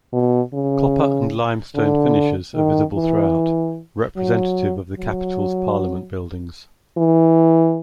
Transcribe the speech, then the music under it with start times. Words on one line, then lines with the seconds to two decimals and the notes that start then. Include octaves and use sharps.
Copper and limestone finishes are visible throughout, representative of the capital's Parliament Buildings.
0.13 B2
0.54 C#3
1.75 D3
2.55 D#3
2.95 E3
4.17 F#3
4.97 F#3
6.98 E3